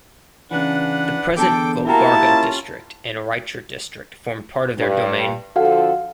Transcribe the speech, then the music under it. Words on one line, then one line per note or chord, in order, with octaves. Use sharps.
The present Gulbarga District and Raichur District formed part of their domain.
C#3 E3 D4 B4 F#5
E2 D3 A4 G5 A5 D6
A#3 E4 F#4 G4 A#4 G5 A5 A#5
C#4 F4
G2
D3 F3 F#4 A4 F5 F#5